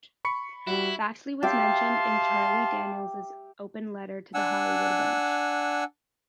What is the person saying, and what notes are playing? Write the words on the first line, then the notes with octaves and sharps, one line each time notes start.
Baxley was mentioned in Charlie Daniels' "Open Letter to the Hollywood Bunch".
B5 C#6 C#7
G3 E4 F#4
G4 E5 F5 G5 A5 C6
D4 F#5 G#5 E6